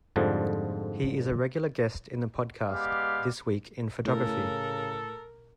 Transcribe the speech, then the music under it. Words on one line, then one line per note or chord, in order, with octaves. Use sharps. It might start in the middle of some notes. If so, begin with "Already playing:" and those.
He is a regular guest in the podcast 'This Week in Photography'.
F2 G#2 D3 F3 G3
G#3 B3 G4 D5 F5
A2 C#3 A4 A#4